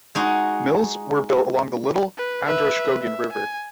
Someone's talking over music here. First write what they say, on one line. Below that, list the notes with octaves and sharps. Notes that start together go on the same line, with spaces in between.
Mills were built along the Little Androscoggin River.
G#3 D#4 F#4
B4
B4 E5
E5
G#5